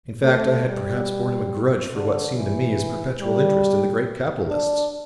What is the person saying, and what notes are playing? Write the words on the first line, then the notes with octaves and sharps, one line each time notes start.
In fact, I had perhaps borne him a grudge for what seemed to me his perpetual interest in the great capitalists.
A3
G3
D3
E3
G3
D4